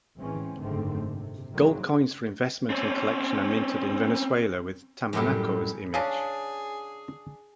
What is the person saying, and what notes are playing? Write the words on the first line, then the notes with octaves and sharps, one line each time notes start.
Gold coins for investment and collection are minted in Venezuela with Tamanaco's image.
A2 E3 G#3 C4 C#4
F#1 G#2 D3 D#3 A3 C4
C3
D#3 E3 F#3 G#3 A#3 C4
C4 C#4
F#2 A2 G3
C#3 C#4 D4 G#4